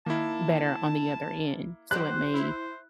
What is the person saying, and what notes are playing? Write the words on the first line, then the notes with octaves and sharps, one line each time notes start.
better on the other end, so it may
D#3 A#3 E4 A5
F#3 G4 C5 F#6
E4